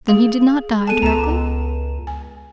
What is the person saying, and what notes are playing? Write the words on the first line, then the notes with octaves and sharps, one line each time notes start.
'Then he did not die directly?'
G#4 F5
B3 A4 G#5 A5 D#7
C#2 B3 A#5 E7
G#5